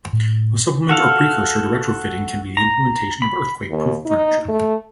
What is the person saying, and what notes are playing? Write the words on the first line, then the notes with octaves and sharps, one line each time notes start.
A supplement or precursor to retrofitting can be the implementation of earthquake proof furniture.
A2
F#4 A4 F5
A#5
B5
D#2
D#4
A3